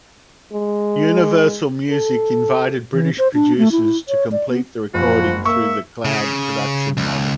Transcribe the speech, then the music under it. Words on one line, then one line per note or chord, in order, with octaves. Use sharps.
Universal Music invited British producers to complete the recording through the cloud production model.
G#3
A4
E3
C5
D4
A3
E4
C#5
D5
B3
F#1 F3 F#4
A#3 E5 C#6 E6
C#3
C#2